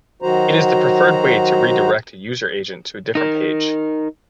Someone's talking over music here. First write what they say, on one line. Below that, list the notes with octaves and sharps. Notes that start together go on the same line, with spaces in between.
It is the preferred way to redirect a user agent to a different page.
D#3 F#3 F#4 C5 A#5
D#4 A#4